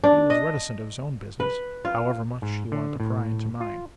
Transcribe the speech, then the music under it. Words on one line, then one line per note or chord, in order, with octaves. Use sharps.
He was reticent of his own business, however much he wanted to pry into mine.
D4
D#5
B4
F4
G#2
D3
A2
F4